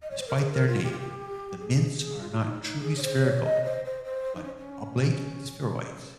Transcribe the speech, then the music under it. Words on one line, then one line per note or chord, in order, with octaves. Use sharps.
Despite their name, the mints are not truly spherical but oblate spheroids.
D#5
C#5
C5
A#4
G#4
A#4
F4
G4
F4
G4
G#4
F4
F4
D#4
D#4
G#4
C#5
C5
C#5
D#5
C5
C5
C5
D#4
C#4
C#4